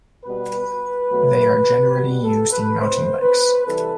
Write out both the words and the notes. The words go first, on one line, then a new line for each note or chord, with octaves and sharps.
They are generally used in mountain bikes.
B2 G3 B3 B4
B2 F#3 A3
B2 G3 B3 G4
A4
B4
B2 A3 C4 C5
B4
C3 E3 G3 A4